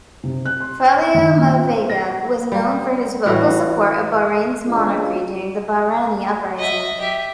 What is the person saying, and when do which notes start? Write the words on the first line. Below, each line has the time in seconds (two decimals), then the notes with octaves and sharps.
Faleomavaega was known for his vocal support of Bahrain's monarchy during the Bahraini uprising.
0.24 C3
0.45 F#6
0.60 C6
0.94 C6
1.15 D#3
1.38 A#2
1.56 F4
1.73 C5
1.90 A#6
2.52 G3
3.26 A2 E3 G3 F#4
4.65 E2 C#3 G#3 D4 F4
6.59 D#5 E5
7.00 G4 E5